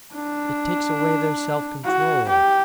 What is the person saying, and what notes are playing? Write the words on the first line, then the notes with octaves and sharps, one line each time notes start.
It takes away their self-control.
D4
F#4
G4